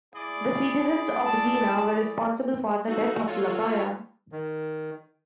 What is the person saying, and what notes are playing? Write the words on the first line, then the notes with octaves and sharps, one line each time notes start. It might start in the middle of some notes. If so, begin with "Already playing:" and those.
The citizens of Gina were responsible for the death of Labaya.
E4 G#4 D5
A5
D#4 F#4 A4
F4 F#4 A4 C#5
D#3